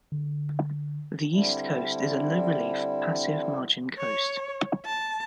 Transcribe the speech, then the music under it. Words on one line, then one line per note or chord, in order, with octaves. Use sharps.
The East Coast is a low-relief, passive margin coast.
D3
D3 G3 C4 D4 E4
C#5
A5